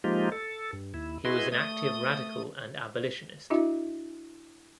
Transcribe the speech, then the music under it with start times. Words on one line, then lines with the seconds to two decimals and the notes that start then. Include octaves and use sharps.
He was an active radical and abolitionist.
0.04 F3 G#3 A#3 D#4 F4 G4
0.32 A4
0.73 G2
0.94 D#2 E4
1.25 E4 F#4 G#4 B4 D#5 C6
1.52 A3 D#6
3.50 D4 E4 F#4 D#5 E5